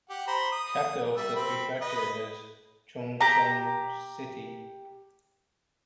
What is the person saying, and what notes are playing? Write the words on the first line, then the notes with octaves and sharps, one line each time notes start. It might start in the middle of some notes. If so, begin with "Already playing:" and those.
The capital of the prefecture is Chuxiong City.
G4 F#5
C5 A#5 B5
D#6
G3 E5
C4 B5
B4 D#5
G4 A#5